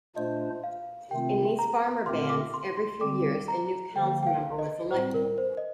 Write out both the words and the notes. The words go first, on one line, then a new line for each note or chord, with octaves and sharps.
In these farmer bands, every few years a new council member was elected.
A#2 A3 D4 F4 C5 D#5
F5
C3 D#3 A3 C4 F4 G5
A#5
A#2 A3 C4 G4 A#4 C6
D6
C6
C6
D3 G3 C4 D6
A#5
D3 F3 A#3 G5
G5
F5
D#5
A2 G3 C4 C5
A#4
C5
D#5